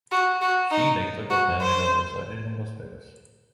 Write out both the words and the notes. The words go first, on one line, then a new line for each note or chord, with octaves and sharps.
She later got married and resided in Las Vegas.
F#4
F#4
D#4
F#4
C5